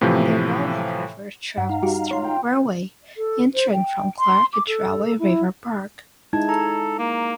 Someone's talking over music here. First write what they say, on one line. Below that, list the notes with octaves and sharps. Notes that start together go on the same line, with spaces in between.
The Rahway River travels through Rahway, entering from Clark at Rahway River Park.
A2 C3 E3 F3
G2 F#5
D#4 F5 A#5
G3 F#4 G4
F4 C#5 C6
G5
A4
C5
G5
C6
D6
A4
E4
G#3 D#4 E4 A5 G#6
A4 A#5
A#3